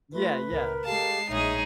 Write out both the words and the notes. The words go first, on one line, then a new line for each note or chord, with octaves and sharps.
Yeah, yeah.
A3 F4 B4
C#2 A#4
G#3 G4 A4 F5 A5 C7
A#1 G#3 D#4 G#4 C#5 E5